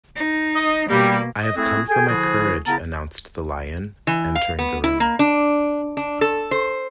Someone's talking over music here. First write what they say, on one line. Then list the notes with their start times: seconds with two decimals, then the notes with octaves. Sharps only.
"I have come for my courage," announced the Lion, entering the room.
0.16 D#4
0.56 D#5
0.89 B2 G3 A#3
1.43 D#5
1.56 A3 C4 E4 F#4 G#4 A4
1.88 G#4 A4 G5 G#5
2.08 D3 F3 E4 F#4 G#4 C5
2.67 C#3 B3 E4 A#4 A5 A#5
4.07 E3
4.35 F5
4.59 B3
4.84 E4
5.00 A#3
5.19 D4
5.97 D4
6.21 A4
6.51 C5